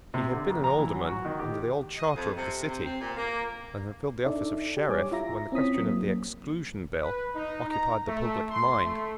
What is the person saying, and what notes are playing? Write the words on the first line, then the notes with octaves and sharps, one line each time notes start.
He had been an Alderman under the old charter of the City, and had filled the office of Sheriff when the question of the Exclusion Bill occupied the public mind.
C3
D3
A#1
A#5
E3
F#3
F#4
D#3
G4
D#5
F2
C3
C3
C4
A#2
A#3
D4 D#4 A4 D5 E5
G4
G3 C#5 G#5 D6
E4 F4 E5 A#5 A#6
C4 C#4 E4 D#6 B6
F#3 A#3
B4
D#4
A#5
A3
C6
A3